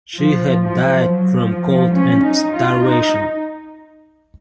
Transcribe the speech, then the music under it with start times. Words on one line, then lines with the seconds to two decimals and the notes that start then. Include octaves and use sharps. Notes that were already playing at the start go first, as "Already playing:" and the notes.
She had died from cold and starvation.
0.19 F3
0.62 F3
1.06 F#3
1.35 F3
1.64 F3
1.94 C#4
2.23 D#4
2.52 F4
2.81 D#4